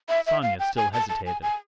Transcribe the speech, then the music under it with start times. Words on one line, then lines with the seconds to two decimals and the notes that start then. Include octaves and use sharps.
Sonia still hesitated.
0.09 E5
0.26 E5
0.42 F5
0.59 G5
0.77 G#5
0.93 A5
1.09 A5
1.26 G#5
1.42 G#5